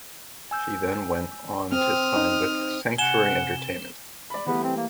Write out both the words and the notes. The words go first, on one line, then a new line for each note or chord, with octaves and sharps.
She then went on to sign with Sanctuary Entertainment.
G#5 E6 G6
C4 D#6 F6
D#4
C3 F#5 G#5 E7 G7
D5 B5
E3 G3 A3 B3
C4
A#3